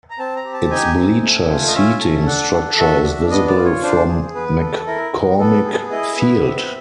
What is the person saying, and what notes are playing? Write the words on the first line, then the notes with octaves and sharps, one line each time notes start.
Its bleacher seating structure is visible from McCormick Field.
A#5
C4 A5
A#5
G4
A5
D#4 G#5
C4
A3
F4
D#5
C#4 E5
A4
D4 F#5
A4
F#4 E5
D4
B3 D#5
D5
F4
C#5
D4 C5
G#4
B3 B4
A4
E4 A#4
B3
B3 A4
G#4
E4 D#5
B3 E5
C4